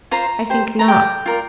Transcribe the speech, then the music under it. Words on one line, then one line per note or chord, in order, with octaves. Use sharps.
I think not.
F4 C5 A#5
G4 C5
A#5
G4 D5 G5
F4 A#4 D5